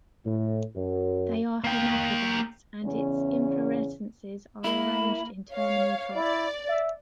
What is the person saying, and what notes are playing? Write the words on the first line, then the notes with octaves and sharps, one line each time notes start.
They are hermaphrodites and its inflorescences are arranged in terminal tops.
A2
F#2
A#3 G5
E2 C#3 C#4
A#3 E4 B5
C#5 F5
E4 D5
E5